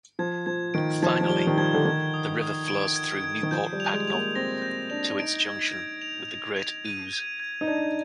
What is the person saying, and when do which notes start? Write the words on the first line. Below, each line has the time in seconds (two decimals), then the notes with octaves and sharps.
Finally, the river flows through Newport Pagnell to its junction with the Great Ouse.
0.19 F3 G#6
0.46 F3 G#6
0.74 D#3 D7
1.02 F3 G#6
1.21 F3
1.30 G3 G7
1.47 D#3
1.57 F3 G#6
1.74 D3
1.85 D#3 G#6
2.14 D#6
2.41 D#6
2.68 D7
2.96 G#6
3.24 G#6
3.43 D#3
3.51 F3 G6
3.73 G3
3.80 F7
3.93 G#3
4.07 F7
4.14 A#3
4.35 C4 A#6
4.62 G6
4.90 D4 F7
5.11 D4
5.19 D#4 D7
5.47 G#6
5.74 G#6
6.02 F7
6.29 F7
6.56 F7
6.85 D#7
7.13 G#6
7.40 G#6
7.61 D#4
7.67 D4 G#6